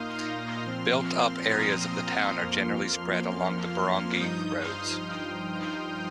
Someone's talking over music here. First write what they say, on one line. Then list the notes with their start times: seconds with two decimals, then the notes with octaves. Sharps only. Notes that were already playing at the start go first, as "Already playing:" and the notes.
Built-up areas of the town are generally spread along the barangay roads.
Already playing: A#2 A#3 D#4 F5 C6 D#6 F6 G6
0.18 F6 A#6
0.62 A#2 F3 C4 C6 F6
1.51 A#5 D#6
1.81 C6 F6
2.11 C6 F6
2.41 F2 F3 A#3
4.19 G2 F3 D#4 D#6 G6
4.64 C6 F6
5.09 G5 C6